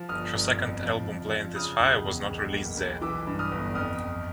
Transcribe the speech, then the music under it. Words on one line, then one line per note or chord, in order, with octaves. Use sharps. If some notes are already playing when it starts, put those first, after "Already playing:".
Her second album "Playin' With Fire", was not released there.
Already playing: F3
G1 D#6 F6
G1
F2
F3
F3
F3
C#3 D#6 F6
E1
E2
B1
A#2
B1
E3 D6 E6
G2
D#6 F6
G1
F2 D#6 F6
F2